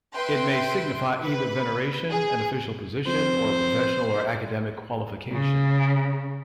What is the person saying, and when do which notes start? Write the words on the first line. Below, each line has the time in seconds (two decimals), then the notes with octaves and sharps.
It may signify either veneration, an official position or a professional or academic qualification.
0.14 B4 E5 G5 C6
1.23 B4
2.10 G#4
3.07 F2 C5
5.31 C#3